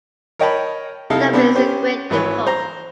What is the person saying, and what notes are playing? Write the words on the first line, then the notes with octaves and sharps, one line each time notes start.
Dublin is the great depot.
A#4 C#5 D#5 G5 A5 B5
C3 D#4 E4 A4 F5
B3 C4 D4
C#4 G4 C5
G#1 E3 B4 C#5
C5 A#5